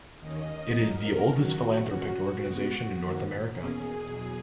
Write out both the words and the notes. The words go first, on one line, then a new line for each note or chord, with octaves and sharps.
It is the oldest philanthropic organization in North America.
D#2 D#3 A#3 C#4 D#5
G#2 F#3 A#3 A#4
D#2 D#3 F#3 C#4 F#4
A#2 A#3 C#4 F#4
C#3 G#3 B3 F#4
F#2 D#3 A#3
E2 B2 A#3 C#4 G#4
E2 B2 F#3